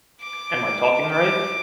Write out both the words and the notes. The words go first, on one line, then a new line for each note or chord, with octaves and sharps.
Am I talking right?
D6
D6